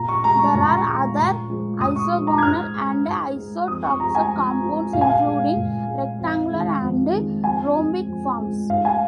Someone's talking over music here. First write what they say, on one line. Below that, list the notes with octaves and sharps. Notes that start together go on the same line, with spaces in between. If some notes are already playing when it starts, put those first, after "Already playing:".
There are other isogonal and isotoxal compounds including rectangular and rhombic forms.
Already playing: A#2 A#5
C#6
G#3 A#5
C#6
A#2 C#6
A#5
C#6
G#3
A#2
F3 G#3
A#2 D#6
C#6
F3 G#3
A#5
G#6
G#2 F6
G#3
G#2
G#3
F2 D#6
C#6
F3 G#3 A#5
G#5
F2
F3 G#3
A#2 F5
G#5
F5
G#3
A#2
G#3
F2
D#3 G#3
F2
D#3 G#3
F2 G#5
F3 G#3
F2
F3 G#3
G#2 F5
G#5